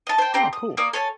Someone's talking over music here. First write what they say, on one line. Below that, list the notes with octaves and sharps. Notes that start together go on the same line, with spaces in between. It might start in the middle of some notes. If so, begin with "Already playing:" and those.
Oh, cool.
D#5 A5
C5 G5
C4 G4 A#5
D#6
A#3 D5 D#6
A4 C#5 G#5 A5